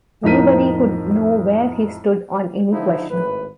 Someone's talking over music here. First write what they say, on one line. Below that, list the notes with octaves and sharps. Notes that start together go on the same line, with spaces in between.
Anybody could know where he stood on any question.
F2 A2 D#4 A#4 B6 D#7
D3 F3 D#4 E4
G#1 A2 B4